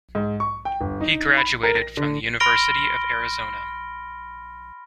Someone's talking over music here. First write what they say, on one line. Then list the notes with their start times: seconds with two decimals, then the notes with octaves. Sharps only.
He graduated from the University of Arizona.
0.15 G#2
0.40 C#6
0.65 G5
0.81 G1
1.01 D#4
1.37 B5
1.63 A#4
1.75 A#6
1.97 D3
2.40 B5 C6 F6 A#6 D7 G7